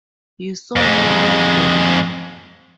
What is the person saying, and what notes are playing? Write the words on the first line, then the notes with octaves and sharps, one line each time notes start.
You saw me load them.
F2 G#3